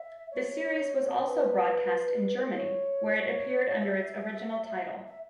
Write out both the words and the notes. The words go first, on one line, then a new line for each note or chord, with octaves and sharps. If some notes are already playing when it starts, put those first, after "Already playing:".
The series was also broadcast in Germany, where it appeared under its original title.
Already playing: E5
C#5
B4
C#5
C#5
E5
E5